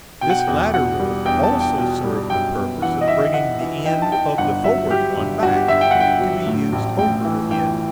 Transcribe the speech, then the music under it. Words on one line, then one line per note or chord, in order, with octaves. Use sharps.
This latter rope also served the purpose of bringing the end of the forward one back, to be used over again.
B2 G5
F#5
G5
E2
B2 F#5
G3
E2 G5
A5
E2
G5
B2 G5
G3
F#2 G5
B3
E3 F#5
D#5
D#4 E5
D#4 F#5
E3
D#4 G5
A5
D#4 G5
G1 F#5
F#3 E5
F#3 G4
G1
G1 F#4
G4
G1 E5
G5
G1 F#5
G5
F#3
A2
A1
A1 G5
E3
E3 G5